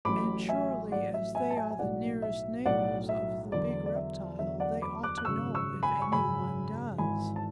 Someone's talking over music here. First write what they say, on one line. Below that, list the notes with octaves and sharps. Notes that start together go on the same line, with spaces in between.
And surely, as they are the nearest neighbors of the big reptile they ought to know if any one does.
A1 A2 F#3 B5 D6
E5 G#5
A1 A2 F#3 D5 F#5
E5
E5 G#5
A5
E5 G#5
G#5
B1 A2 F#3 D5 F#5
E5
B1 A2 F#3 D5 F#5
E5
E2 D3 F#3 D5
D5
E5
E2 D3 F#3 E5
D5 F#5
B5 D6
D6 F#6
F#6
G#1 F#2 C#3 C#6 E6
C#6 E6
G#5 B5
C#6
G#1 F#2 C#3 G#5 B5
G#1 G#2 E3 G#5 B5
A5